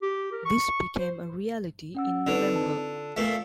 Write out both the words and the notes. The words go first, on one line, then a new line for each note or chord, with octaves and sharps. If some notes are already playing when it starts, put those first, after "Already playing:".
This became a reality in November.
G4
A#4
C#6
C5
C#4 F#5 E6
D3 C4 D#4 B4
F4 A5
A#2 A3